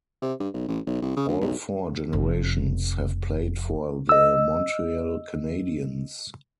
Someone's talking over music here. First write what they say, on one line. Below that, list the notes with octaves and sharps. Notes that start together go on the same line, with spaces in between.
All four generations have played for the Montreal Canadiens.
C3
G2
B1
A1
B1
C2
C#3
D2
B1
F1 F2
D#5 E6